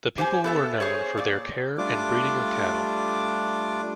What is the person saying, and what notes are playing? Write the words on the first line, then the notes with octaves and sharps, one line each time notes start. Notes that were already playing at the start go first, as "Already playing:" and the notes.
The people were known for their care and breeding of cattle.
G4 C5 F#5 G#5
B3 A4 E5
G#4 C5 C#5
A#2 D5
G3 A3 D4 F4 D6